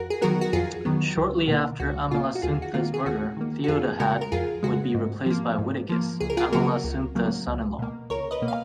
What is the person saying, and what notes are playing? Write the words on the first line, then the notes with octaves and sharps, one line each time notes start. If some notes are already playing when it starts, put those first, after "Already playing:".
Shortly after Amalasuntha's murder, Theodahad would be replaced by Witigis, Amalasuntha's son-in-law.
Already playing: F2 F#4 A#4
G#4
D#3 F#3 B3 F#4 A#4
F#4
F2 F4 G#4
D#3 F#3 B3
C#2
B2 A#3
C#2 F#4
B2 A#3 F4
F#4
D#2 F4 G#4
F#4
D#3 A#3 F4
G#4
D#2 F#4
D#3 A#3
F#4
F2 F4 G#4
C#3 G#3 F#4 A#4
A#4
F2 F4 G#4
C#3 G#3 F#4
G#2
F3 A#3
G#2
F3 A#3
C#2 G#4
A#4
F4 G#4
C#3 F#3 A#3 F#4 A#4
C#2
C#3 F#3 A#3
C#2
B2 A#3
C#2 A#4 C#5
B4 D#5
B2 A#3
F5